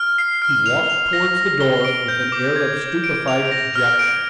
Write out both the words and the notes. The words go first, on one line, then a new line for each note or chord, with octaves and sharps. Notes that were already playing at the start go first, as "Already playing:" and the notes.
He walked towards the door with an air of stupefied dejection.
Already playing: F6
C7
F6
F7
F7
A#6
A#6
G7
D7
G6
D6
G#6
G#6
D7
F7
A#6
F6
D7